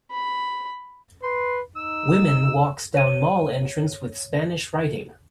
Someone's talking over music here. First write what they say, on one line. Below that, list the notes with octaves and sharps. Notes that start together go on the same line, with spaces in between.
Women walks down mall entrance with Spanish writing.
B5
B4 C6
D#4 E6
C#5 D#7